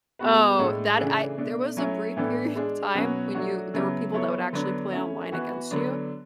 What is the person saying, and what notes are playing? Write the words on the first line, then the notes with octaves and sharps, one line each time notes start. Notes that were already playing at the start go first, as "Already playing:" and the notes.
Oh, that I there was a brief period of time when you there were people that would actually play online against you,
B2 G#3 B3 F#4 B4
A2 G#3 D4 A4
C#3 E3 A3 D4 G#4
B2 A3 D4
F#3 A3 C#4 E4
A2 E3 B3 D4 A4
G#3 D4 G#4
B2 F#3 C#4 F#4 B4
F#3 A3 D4 F#4
C#3 F#3 B3 E4
F#3 B3 E4 A4 C#5
D3 F#3 B3 D4
A3 C#4 E4
E3 B3 F#4 B4
D3 F#3 B3 D4